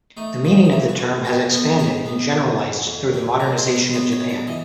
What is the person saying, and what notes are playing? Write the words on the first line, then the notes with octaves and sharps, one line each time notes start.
The meaning of the term has expanded and generalized through the modernization of Japan.
A3 D#4
F3 D#4
D#4
F2 E4
F#4
F2
B3 G4
B3 A4
G#2 A#4
B3
F2
F2
F2
F#3
G#3 A#4
C5
B2
B4
B3 C5
C#5
B2
D5
E3 D#5